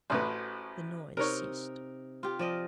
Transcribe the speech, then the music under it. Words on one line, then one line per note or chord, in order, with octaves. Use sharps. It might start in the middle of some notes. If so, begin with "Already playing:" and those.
The noise ceased.
A1 A2 F#4 A4 B4 C5
C3 D#4 A#4 C#5
F4 G4
F3 D5 D#5